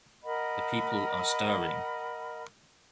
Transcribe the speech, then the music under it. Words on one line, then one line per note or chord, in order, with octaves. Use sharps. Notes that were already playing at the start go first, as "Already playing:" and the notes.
The people are stirring.
A#4 D#5 F#5 B5